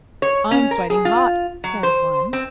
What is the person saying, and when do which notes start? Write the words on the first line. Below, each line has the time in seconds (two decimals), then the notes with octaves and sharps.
"I'm sweating hot," says one.
0.22 C#5
0.51 C#4
0.71 A#4
0.90 G#4
1.05 F4
1.64 F#3
1.83 C5
2.33 C4